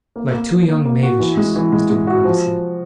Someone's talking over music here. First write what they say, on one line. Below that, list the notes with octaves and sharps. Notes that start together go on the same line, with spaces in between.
'Like two young mavishes,' Mr. Peggotty said.
A#3
A#3
A#3
A#3
A#3
F#4
E3
G#3
E3
G#3
G#3
F#4
F3